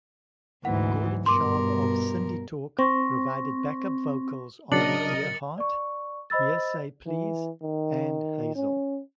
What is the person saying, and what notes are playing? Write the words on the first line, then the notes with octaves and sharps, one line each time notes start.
Gordon Sharp of Cindytalk provided backup vocals on "Dear Heart", "Hearsay Please", and "Hazel".
D2 G#2 E3 F#5
G2 B2 A#4 C6 D6
C4 C6 C#6 A#6
C#3 F#3 D4 A#4 D#5 A6 C#7 F#7
D5 C#6
C5 D#5 B5 E6 A6
E3
D#3
C#4